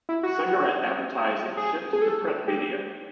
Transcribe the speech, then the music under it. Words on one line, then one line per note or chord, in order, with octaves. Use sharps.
Cigarette advertising shifted to print media.
E4
F#4
G#4
G#4
A4
G4